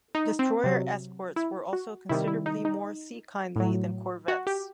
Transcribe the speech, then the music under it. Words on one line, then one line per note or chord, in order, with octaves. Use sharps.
Destroyer escorts were also considerably more sea-kindly than corvettes.
D#4
C4
C3 F#3
E4
F#4
C3 D#3 G3 E4
E4
D#4
D#4
A2 F#3
F#4
G4